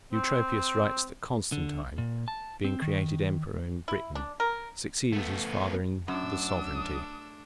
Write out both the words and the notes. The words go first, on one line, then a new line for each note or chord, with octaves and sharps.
Eutropius writes that Constantine, being created emperor in Britain, succeeded his father in the sovereignty.
C4
D3
A#2
A5
C4
D#3
E4
D4
A#4
A3 B3
F#2 A3 D4 E6